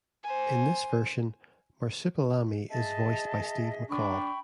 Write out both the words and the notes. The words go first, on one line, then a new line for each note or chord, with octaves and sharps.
In this version, Marsupilami is voiced by Steve Mackall.
C5 G#5
G#4 D#5 E5 A5
D4 G5 B5 C#6